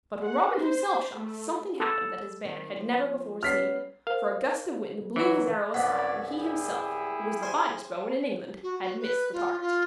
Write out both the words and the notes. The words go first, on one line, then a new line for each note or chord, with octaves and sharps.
But when Robin himself shot something happened that his band had never before seen, for a gust of wind blew his arrow aside, and he himself, who was the finest bowman in England, had missed the target.
F#5
C5
A3
A4
D#3 C4
F3
G3 B3 C#4 F6 B6 C7
A#4 C5 F5
E3 F#3 F#4
C2 F#2 B3 C#4 D5
E4 G4 G#4
C5 G#5
F#4
F#4
B4
F4
F4